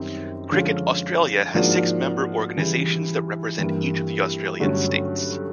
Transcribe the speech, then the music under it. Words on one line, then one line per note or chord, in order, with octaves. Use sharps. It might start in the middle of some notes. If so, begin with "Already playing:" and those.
Cricket Australia has six member organisations that represent each of the Australian states.
Already playing: F#2 D#3 G3 C4 D#4
D3 F3 G#3 C#4 F4
G#2 F3 A#3 D4 F#4
C#3 E3 G3
G2 E3 G3 A#3
G2 D3 F#3 A3 C#4